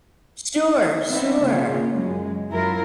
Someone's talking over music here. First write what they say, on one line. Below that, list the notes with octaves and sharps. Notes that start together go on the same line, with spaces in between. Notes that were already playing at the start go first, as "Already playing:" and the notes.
Sure, sure,
B3 C4 D#4 E5
C#3 A#3 F4
F#2 G#3
F#2 F#3 E4 F4 A#4